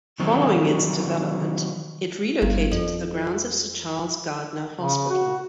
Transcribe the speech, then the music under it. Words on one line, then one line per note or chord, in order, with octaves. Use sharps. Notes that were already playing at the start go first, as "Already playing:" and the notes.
Following its development, it relocated to the grounds of Sir Charles Gairdner Hospital.
D#3 E3 F#3 C4
G1
F2
C#3
F#4